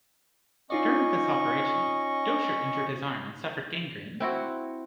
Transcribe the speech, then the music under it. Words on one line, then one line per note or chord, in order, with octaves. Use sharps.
During this operation, Docher injured his arm and suffered gangrene.
C#4 D#4 F4 D5 D#5 C#6
C4 E4 F#4